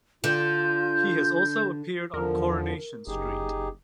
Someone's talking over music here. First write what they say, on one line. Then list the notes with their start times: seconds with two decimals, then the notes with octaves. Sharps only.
He has also appeared on "Coronation Street".
0.24 D3 F4 G6
2.14 E2 D3 F3 A#4
3.07 F#1 D#4 G4 G#4